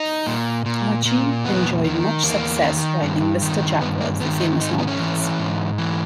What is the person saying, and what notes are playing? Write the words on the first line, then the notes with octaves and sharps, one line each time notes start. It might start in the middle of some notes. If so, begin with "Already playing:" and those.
Archie enjoyed much success driving Lister-Jaguars - the famous "Knobblys".
Already playing: D#4
A#2
A#2
A#2
E2 B3
D#3
E2 A#3
D#3
G2
D#3
G2 B3
A#3
D#3 B3
D#4
G#2 D#4
C#4
B3
C#4
E3
G#2
E3